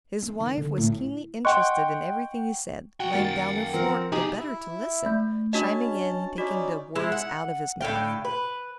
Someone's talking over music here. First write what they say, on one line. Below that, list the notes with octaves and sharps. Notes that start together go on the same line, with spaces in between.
His wife was keenly interested in everything he said, laying down her fork the better to listen, chiming in, taking the words out of his mouth.
A#3
D#3
D3
A2
E4
D#5 F#5 G5 C6 C#6 F#6
F#4 F#5 G5
F#2 D#3 F#3 A#3 A6
F3 C4 A#4
C2 B2 D#4 G4 G#4 G#5
E4 E5
A3
C#4 D4 F#4 D#5 A5
C#4 D#4 F#4 D5
G#3 E4
F#5
A2 D3 F5 G5
B4